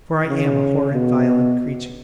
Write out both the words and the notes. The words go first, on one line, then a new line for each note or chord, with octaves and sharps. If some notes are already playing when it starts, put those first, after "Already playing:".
For I am a horrid, violent creature.
C#3
B2